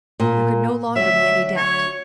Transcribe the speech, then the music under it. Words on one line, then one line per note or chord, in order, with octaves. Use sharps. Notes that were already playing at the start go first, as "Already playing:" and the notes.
There could no longer be any doubt.
A#2
D2 F#3 E5
C#5